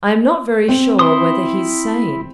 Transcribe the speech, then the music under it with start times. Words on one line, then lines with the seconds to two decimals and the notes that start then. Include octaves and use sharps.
"I am not very sure whether he's sane."
0.68 C4
0.99 E4 C6 D#6